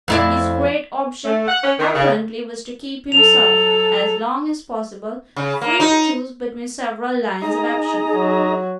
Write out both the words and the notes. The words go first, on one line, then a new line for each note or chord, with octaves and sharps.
His great object, apparently, was to keep himself, as long as possible, free to choose between several lines of action.
F2 E4 D5
A3
F#5
C#4
D#3
C#3
F#3 A4 F7
C#3
A#3
D#4
D#4 G#4 D#5 A#5
F#3